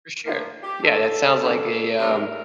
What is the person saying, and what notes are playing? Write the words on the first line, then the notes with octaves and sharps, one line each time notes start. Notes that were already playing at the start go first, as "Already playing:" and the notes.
For sure. Yeah, that sounds like a, um,
A2 F3 A#3 D4 A#4
G4
A2 F3 A#3 D4 A4
C3 E3 G3 D4
C3 E3 G3 D4 A#4